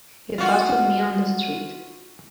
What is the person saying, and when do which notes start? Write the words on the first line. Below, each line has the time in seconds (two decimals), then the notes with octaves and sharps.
He accosted me on the street.
0.38 F4 F#4